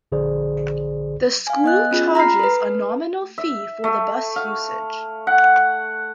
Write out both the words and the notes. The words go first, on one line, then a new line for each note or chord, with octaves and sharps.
The school charges a nominal fee for the bus usage.
A#1 D3 G#4 C5 D5
F5 G#5
B3 D#5 F#6
C#4 F4 G#4
A#5 B5 F6 C7
A4 B4
E5
A3
F5
F#5